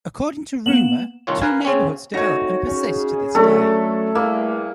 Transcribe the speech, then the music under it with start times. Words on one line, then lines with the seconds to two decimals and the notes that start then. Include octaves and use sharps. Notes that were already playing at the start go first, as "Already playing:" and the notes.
According to rumor, two neighbourhoods developed and persist to this day.
0.66 A#3 B3 E7 F#7
1.27 C2 D#3 F4 C#5
1.42 A#4 B4 F5 G#5
1.65 C#3 C4 C#4
2.14 A3 C4 D#4 F#4 C#5 G#6 A#6
2.67 C#3 C#4 G#4
3.35 F#3 A3 C#4 D4 A4
4.15 E2 G2 A#3 E4